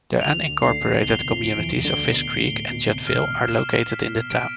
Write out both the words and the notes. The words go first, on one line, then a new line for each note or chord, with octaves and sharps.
The unincorporated communities of Fish Creek and Juddville are located in the town.
D2 D3 F7
D2 D3
D2 D3 C7
C2 C3
B2 G7
F2 F3
D7
E2 E3
D2 D3 G7
B2
A2 C7
A2
B2 C7
C2 C3
C2 C3 F6
A2
B2 E7
A2
B6
B2
B2 D7